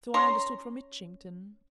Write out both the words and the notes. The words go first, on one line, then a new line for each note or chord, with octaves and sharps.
"So I understood from Mitchington."
C#4 C#5 A#5 C6